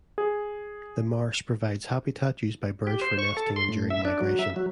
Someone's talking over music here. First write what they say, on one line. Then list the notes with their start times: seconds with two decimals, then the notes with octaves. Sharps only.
The marsh provides habitat used by birds for nesting and during migration.
0.18 G#4
2.87 G4
3.01 C5
3.19 C#6
3.37 A4
3.56 C6
3.69 A2
3.90 E5
4.05 D4
4.21 F#3
4.39 E5
4.56 F#3